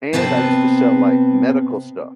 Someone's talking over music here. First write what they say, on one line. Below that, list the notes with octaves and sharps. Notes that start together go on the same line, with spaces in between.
and I used to sell like medical stuff
C3 B3 C4 B4 E5 A5